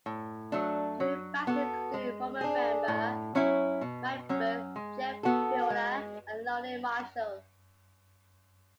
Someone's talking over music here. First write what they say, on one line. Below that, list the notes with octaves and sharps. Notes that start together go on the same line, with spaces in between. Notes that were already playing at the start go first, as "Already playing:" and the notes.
Touring bassists include former member Mike Berg, Jeff Fielder, and Lonnie Marshall.
A2
F#3 A3 D4
F#3
B3 F#4 A4
G#3
D4 G#4
A2
F#3 C#4 E4
B2
F#3 C#4
G#3
B3 F#4 A4
G#3